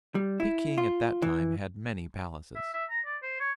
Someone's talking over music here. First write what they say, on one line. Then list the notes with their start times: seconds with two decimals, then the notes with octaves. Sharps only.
Peking at that time had many palaces.
0.15 G3
0.40 E4
0.78 F4
1.22 E3
2.55 E5
2.74 E5
2.90 A#5
3.06 D5
3.23 C5
3.40 C#5